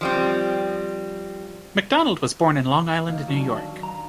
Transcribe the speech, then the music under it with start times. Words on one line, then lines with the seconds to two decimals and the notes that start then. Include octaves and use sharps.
McDonald was born in Long Island, New York.
0.01 F3 G3 C4
3.09 D2 D#3 D#4 F5
3.28 F#3 D4
3.83 A#5